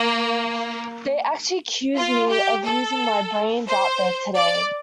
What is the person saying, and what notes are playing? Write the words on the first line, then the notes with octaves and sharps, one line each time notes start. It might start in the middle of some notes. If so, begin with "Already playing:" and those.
They actually accused me of using my brains out there today.
Already playing: A#3
F4
G4
A4
C5
D5